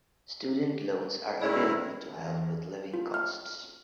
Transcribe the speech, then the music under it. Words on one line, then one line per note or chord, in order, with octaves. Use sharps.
Student loans are available to help with living costs.
D#3 G#3 C#4 E4 G#4 D5
E2
F4
F6